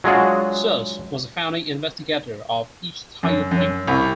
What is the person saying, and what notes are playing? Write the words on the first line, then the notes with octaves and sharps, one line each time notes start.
Sars was a founding investigator of ichthyoplankton.
F#3 G#3 D4 F4 F#4 G#4
F#2
F#2
C2